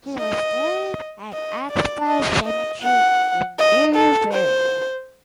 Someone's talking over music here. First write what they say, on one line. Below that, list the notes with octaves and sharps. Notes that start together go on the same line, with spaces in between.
He was buried at Oxbow Cemetery in Newbury.
D#5
D#5
D5
D#5
D#5
F#5
D#5
A4
C5